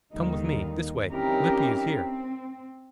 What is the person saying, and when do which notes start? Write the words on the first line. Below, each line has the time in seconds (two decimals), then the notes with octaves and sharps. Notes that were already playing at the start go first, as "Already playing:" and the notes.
"Come with me--this way--Lippy is here!"
0.13 D#2 D3 D#3 G3 D#4
1.09 C4 C#4 D#4 E4 G4 A#4
1.95 C4